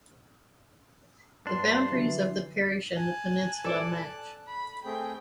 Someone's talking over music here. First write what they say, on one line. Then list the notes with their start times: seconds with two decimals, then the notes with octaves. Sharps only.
The boundaries of the parish and the peninsula match.
1.47 G2 D4 C6
1.92 D3 E3 F#3
2.96 G#5 A5 F#6
3.64 A4 D5 D7
4.48 B5
4.85 A3 C4 G#4 G5